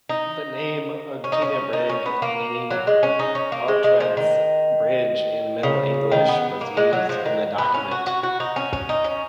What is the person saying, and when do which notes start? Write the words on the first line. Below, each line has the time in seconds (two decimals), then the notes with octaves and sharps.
The name Ughtinabrigg, meaning Oughtred's Bridge in Middle English, was used in the document.
0.09 D#4
1.24 C#4
1.32 D#4
1.42 C#4
1.73 D#4
1.89 C#4
2.06 B3
2.22 A#3
2.70 F#3
2.87 G#3
3.03 C#4
3.19 D#4
3.35 C#4
3.52 A#3
3.68 G#3
3.84 G#3
4.00 F3
4.17 D#3
5.63 C#3
6.12 D#3
6.28 B3
6.61 A#3
6.77 G#3
6.93 F#3
7.09 F3
7.26 D#3
7.58 B3
7.74 C#4
7.91 F#4
8.07 F#4
8.23 F#4
8.40 D#4
8.56 C#4
8.73 C#4
8.89 D#4
9.04 C#4